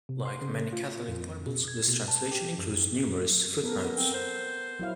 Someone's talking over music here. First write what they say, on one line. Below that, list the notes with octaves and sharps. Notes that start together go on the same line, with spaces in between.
Like many Catholic bibles, this translation includes numerous footnotes.
C3
C6
C#3
F4
F4
F2
B2
G#6
B2
A5
G4
F#2
B3 A4 A#4
C4
C5
F#3 E4 F5